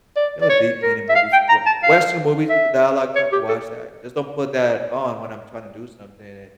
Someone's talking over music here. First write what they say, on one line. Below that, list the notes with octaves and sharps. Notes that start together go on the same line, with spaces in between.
You know, deep meaning movies, w western movies with the dialogue so I can watch that, just don't put that on when I'm trying to do something and
D5
D5
C#5
A#4
E5
F5
G5
A#5
A5
F5
E5
C#5
G4
A4